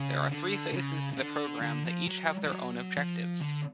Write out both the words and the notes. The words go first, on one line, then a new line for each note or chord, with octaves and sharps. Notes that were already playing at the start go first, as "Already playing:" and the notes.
There are three phases to the program that each have their own objectives.
Already playing: C#3
D3
C#3
C#3
D3
D3
F3
F#3
F3
F#3
F3
D3